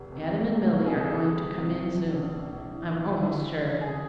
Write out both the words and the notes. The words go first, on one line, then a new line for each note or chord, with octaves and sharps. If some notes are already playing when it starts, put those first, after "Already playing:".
Adam and Milly are going to come in soon, I'm almost sure.
Already playing: F1
C3
F2
C3
G1
C3 G#4
A4
G1 G#4
G1
C3
A#1
E3
A#1
A#1
A#1
A#1
E3
E3
D2
E3
D2
C#3
C#3 G#4